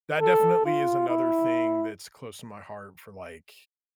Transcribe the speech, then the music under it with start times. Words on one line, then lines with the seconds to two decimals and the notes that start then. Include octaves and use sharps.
that definitely is another thing that's close to my heart for, like,
0.21 A4
0.66 F4
1.09 E4